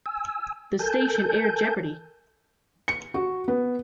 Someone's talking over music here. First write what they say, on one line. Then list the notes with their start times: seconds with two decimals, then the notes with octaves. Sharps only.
The station aired Jeopardy!
0.06 G#5 E6
0.79 A4 A#4 G#5 A5 G6
2.88 C#7
3.14 F#4
3.48 B3